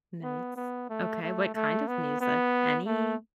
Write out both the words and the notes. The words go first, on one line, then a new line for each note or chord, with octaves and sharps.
Nice. Okay, what kind of music? Any?
B3
B3
A3
A3
A3
B3
B3
A3